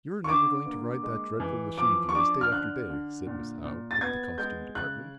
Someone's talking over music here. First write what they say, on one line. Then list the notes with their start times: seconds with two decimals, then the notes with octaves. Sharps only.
"You're never going to ride that dreadful machine of yours, day after day?" said Miss Howe of the Costume Department.
0.24 C#6
0.29 D3 D6
0.66 A#3
1.03 G#3
1.40 E3
1.78 F3 D6
2.09 C#6
2.15 D4 D6
2.41 F6
2.52 D3 F#6
2.90 D3
3.27 A#2
3.64 A#2
3.91 A6
4.01 B3 G#6
4.38 G#3 G6
4.75 C#3 F#6